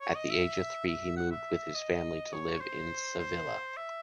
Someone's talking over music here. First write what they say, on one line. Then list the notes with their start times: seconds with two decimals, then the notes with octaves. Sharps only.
At the age of three, he moved with his family to live in Sevilla.
0.01 C#5
0.15 D#5
0.30 E5
0.88 E5
1.17 F#5
1.31 E5
1.75 D#5
2.33 C#5
2.61 C5
3.19 C5
3.77 E5